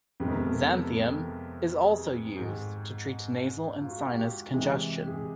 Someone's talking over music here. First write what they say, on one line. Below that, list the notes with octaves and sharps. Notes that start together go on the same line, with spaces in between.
"Xanthium" is also used to treat nasal and sinus congestion.
F2 C3 D#3 G#3 B3 B4
A#4
A4
A#4
A#4
A4
G#4
G#2 D#3 G#3
F4
F#4
G4
C3 E3 G#3
G#4